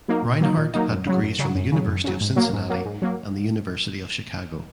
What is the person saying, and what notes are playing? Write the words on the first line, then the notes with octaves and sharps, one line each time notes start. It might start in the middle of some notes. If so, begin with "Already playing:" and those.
Reinhardt had degrees from the University of Cincinnati and the University of Chicago.
F#3 A#3 D#4
A#2
F#3 A#3 D#4
A#2
F#3 A#3 D#4
F#2
C#3 F#3
F#2
C#3 F#3
F#2
C#3 F#3
F#2
C#3 F#3
G#2
F#3 A#3
G#2
F#3 A#3
G#2
F#3 A#3